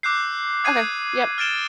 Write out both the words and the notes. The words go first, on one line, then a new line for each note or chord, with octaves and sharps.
Okay. Yep.
D6 E6 F#6 G6 C7
D#6 G#6 C7 D#7
F6 G#6 A6 D7 E7 G7